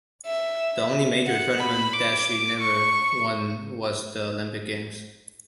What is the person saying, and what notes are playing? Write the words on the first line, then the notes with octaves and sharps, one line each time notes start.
The only major tournament that she never won was the Olympic Games.
E5
F#5
B5
D6
C#6